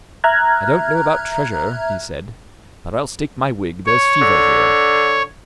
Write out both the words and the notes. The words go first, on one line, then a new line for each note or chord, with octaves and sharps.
"I don't know about treasure," he said, "but I'll stake my wig there's fever here."
E5 A#5 F6 F#6 G#6
C#5
D3